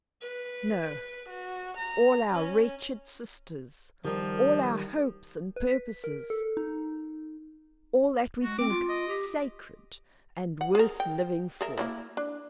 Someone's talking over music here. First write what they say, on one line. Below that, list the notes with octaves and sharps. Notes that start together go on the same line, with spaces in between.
"No, all our wretched sisters--all our hopes and purposes--all that we think Sacred and worth living for!"
B4
F#4
A#5
C#4
D#3 F3 G3 G4 A#4
B4
B6
A#4
A4
D#4
G#3 F#4
C4 D6
F4
D#5
G4
F#5
G#4 A#4
G5
G#4 A#4 E5
A#3 C#4 E4
D4